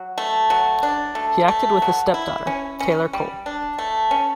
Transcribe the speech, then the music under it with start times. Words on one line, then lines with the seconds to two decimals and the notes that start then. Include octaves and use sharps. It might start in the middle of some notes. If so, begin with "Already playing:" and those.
He acted with his stepdaughter, Taylor Cole.
Already playing: F#3
0.18 A3
0.50 F#3
0.83 D4
1.15 A3
1.48 A3
1.82 F#3
2.14 E4
2.47 C#4
2.80 C#4
3.13 G3
3.46 D4
3.78 A3
4.11 C#4